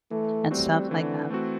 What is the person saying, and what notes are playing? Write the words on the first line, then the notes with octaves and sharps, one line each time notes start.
and stuff like that.
E3 A3
G3 A3 C4 F#4
D3 E3
A3 C4 F#4